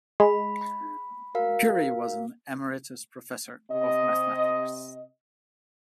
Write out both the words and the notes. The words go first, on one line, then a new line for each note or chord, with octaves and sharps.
Puri was an Emeritus Professor of Mathematics.
G#3 B5
B5
F#4 A#4 F5
C3 D#5